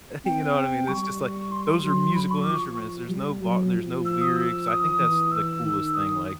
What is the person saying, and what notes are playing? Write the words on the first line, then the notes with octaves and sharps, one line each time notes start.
you know what I mean? It's just like those are musical instruments. There's no vo there's no lyrics. I think that's the coolest thing like,
C4 G5
G3 C#6
C6
F#3
B5
C#6
F3 D6
C#6
G3
F#3
F3
E6
D#6
E6
D#6
E3
E6
D#3
D#6